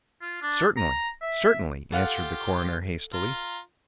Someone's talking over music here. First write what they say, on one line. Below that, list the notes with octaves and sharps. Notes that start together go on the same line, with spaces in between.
"Certainly--certainly," answered the coroner hastily.
F4
D4
A#5
E5
F4 G4 A4 F5 F#5
F4 A#5